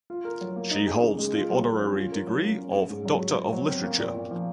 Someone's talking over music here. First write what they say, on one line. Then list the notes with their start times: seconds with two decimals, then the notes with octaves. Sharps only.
She holds the honorary degree of Doctor of Literature.
0.10 F4
0.25 A#4
0.41 F#3
0.56 A#3
0.71 D#4
0.87 G#4
1.03 C#3
1.19 G#3
1.34 F4
1.50 F#3
1.65 F#3
1.81 C#4
1.96 F4
2.12 A#4
2.27 F#3
2.43 A#3
2.58 C#4
2.74 G#4
2.89 G#2
3.05 F#3
3.21 F#4
3.37 C5
3.53 F#3
3.68 C4
3.83 A#3
3.99 A#2
4.15 A#2
4.31 F3